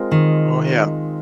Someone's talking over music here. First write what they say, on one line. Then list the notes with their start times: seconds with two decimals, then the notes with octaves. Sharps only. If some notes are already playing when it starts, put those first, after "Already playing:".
Well, yeah.
Already playing: G#3 C4 F4 A#4
0.11 D#3